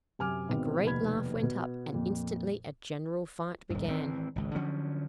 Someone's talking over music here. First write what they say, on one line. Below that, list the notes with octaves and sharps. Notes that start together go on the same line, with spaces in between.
A great laugh went up, and instantly a general fight began.
F#2 C3 G#5 D6 F6
G#1 B2 C4
F1 D#2 B2 B3 B5 G#6
B2 B3
F2 A#2
D#1 G2
G#1 E3 C4
G#1 C#2
D3 F3 F#3 C#4